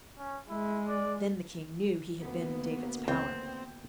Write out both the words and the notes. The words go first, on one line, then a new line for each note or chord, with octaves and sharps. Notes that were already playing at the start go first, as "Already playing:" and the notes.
Then the king knew he had been in David's power.
C#4
G#3 E4
D5
D2 A#3 B3
C#2 C4